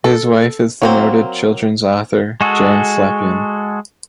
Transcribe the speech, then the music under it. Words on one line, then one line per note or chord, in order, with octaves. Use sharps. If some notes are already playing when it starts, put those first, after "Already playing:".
His wife is the noted children's author Jan Slepian.
A4
F#3 A#3 C4
G#3 F#4 G#4 A4